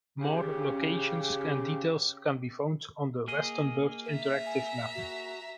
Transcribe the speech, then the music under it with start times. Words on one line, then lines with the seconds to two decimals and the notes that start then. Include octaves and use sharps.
More locations and details can be found on the "Westonbirt Interactive Map".
0.20 C#3 G4
3.28 A#3 G#4 D#5
4.10 E5 A#5
4.46 G#5
4.95 F#4